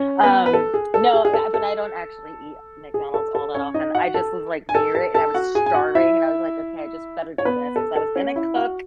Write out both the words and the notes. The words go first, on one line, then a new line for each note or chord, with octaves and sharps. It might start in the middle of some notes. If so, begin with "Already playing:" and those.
Um, no, I but I don't actually eat McDonald's all that often. I just was, like, near it and I was starving and I was like, "Okay, I just better do this," 'cause I was gonna cook,
Already playing: C#4
B3 B4
B4
A4
G#4
A4
G#4
G#4
A4
A4
G#4
A4
A4
C#4 C#5
D#4 D#5
F#4 F#5
A4 A5
G#5
A4 A5
A4 A5
A4 A5
F#4 F#5
G#4 G#5
G#5
F#4 F#5
E4 E5
C#5
B3 B4
A4
A4
C#4 C#5
E4 E5
F#4 F#5